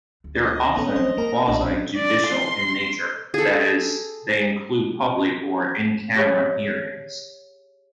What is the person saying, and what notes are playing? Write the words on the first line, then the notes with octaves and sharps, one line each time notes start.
They are often quasi-judicial in nature; that is, they include public or in-camera hearings.
D2
D#5
A#1 B3 C#4 A4
G3 C#4 C5
F#2 A#3 A#4
B1 A#2 D4
D5
C6
G#4 A4
G4 G#4 C#5 F5